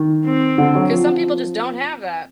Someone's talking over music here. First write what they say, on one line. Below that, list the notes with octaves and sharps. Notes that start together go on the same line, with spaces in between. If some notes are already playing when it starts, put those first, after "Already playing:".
'cause some people, just, don't have that.
Already playing: D#3
C4
D3
F#3
F3